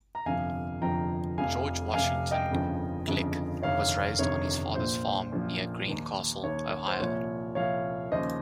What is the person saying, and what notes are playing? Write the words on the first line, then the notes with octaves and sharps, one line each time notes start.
George Washington Glick was raised on his father's farm near Greencastle, Ohio.
A#5
G1 F2 C3 F3 F5 G#5
G1 F2 C3 F3 G5 A#5
F1 F2 C3 F5 G#5
F1 F2 C3 F5 G#5
D#5 G5
G1 F2 C#3 F3
G1 F2 C#3 F3
G1 F2 C3 D#3 C#5 F5
G1 F2 C3 D#3 C#5
A#1 A#2 F3 C5
A#1 A#2 F3
D#2 D#3
D#2 D#3 C#5
C5
C2 A#2 F3 C#5
C2 A#2 F3 C#5 F5
D#2 C#3 F3 C5 D#5